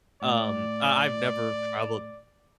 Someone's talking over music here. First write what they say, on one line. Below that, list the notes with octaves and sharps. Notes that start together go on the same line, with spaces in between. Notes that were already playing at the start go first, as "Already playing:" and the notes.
Um, I I've never traveled
A2 D5